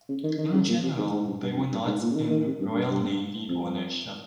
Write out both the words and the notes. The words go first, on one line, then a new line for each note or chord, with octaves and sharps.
In general, they were not in Royal Navy ownership.
C#3
D#3
D#3
C#3
A#2
C3
G#2
G#2
G2
G2
F2
G2
G#2
A#2
C#3
D#3
D#3
C3
G2
G2
G2
F2